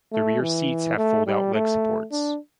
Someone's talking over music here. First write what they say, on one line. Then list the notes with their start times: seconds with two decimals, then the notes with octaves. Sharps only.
The rear seats have fold out leg supports.
0.13 A3
0.41 E3
0.97 A3
1.27 G3
1.54 A3
2.12 D4